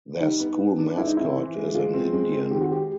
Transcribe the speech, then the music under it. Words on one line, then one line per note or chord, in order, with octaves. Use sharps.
Their school mascot is an Indian.
G3 D#4
B3
B3
D4
G#3 E4
D#4
C4 E4
E3
G#3
G#3 F4
C4
G#3
C4
D#3 G4
F#4
G#3 G4